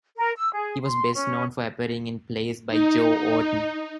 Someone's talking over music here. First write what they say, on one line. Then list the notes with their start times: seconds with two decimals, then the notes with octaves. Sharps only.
He was best known for appearing in plays by Joe Orton.
0.16 A#4
0.36 E6
0.53 G#4
0.81 C6
1.14 C#4
2.69 D#4